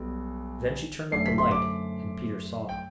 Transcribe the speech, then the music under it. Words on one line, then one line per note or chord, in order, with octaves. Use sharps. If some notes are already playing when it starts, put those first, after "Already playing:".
Then she turned up the light, and Peter saw.
Already playing: B1 B2 G3
F#2 D3 A3 C4 C7
B6
C6
D6
G5